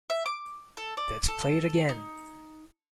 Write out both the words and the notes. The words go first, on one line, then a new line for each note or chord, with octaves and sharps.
Let's play it again!
E5
D6
A4
D5
A4
D#4